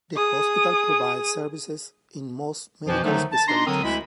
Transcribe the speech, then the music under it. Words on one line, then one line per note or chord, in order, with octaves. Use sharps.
The hospital provides services in most medical specialities.
G#4 D#6
F2 B2 E3 F3
D3 D#3 F3 F#3 A3 D#4
A5
D4 D#4 A#5 C6
D3 F#3 C4 A#4 A#5 D#6
D2 G#3 E4 B5